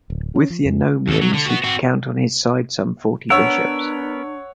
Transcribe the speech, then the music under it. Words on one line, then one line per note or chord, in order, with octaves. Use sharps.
With the Anomoeans, he could count on his side some forty bishops.
D1
C#4
F3
F2
D#2 A4
F#3
D3
B3 F#4
C4 F#4
B3 D4 A#4 C#5 F#5 E6